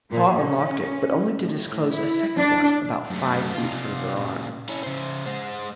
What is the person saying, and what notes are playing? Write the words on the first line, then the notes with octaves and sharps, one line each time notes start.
Haw unlocked it, but only to disclose a second one about five feet further on.
A#2
C#4
A2
E4
D4
F#2 A3
C3 F4
A#2 C#3
C#4 E4
C#3 C5
G#3 C5